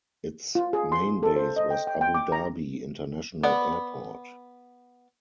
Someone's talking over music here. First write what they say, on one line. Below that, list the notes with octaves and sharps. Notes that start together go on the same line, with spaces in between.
Its main base was Abu Dhabi International Airport.
F4
G#4
C6
A4
C5
D#5
G5
G5
G5
D6
A#5
B3 D5 F#5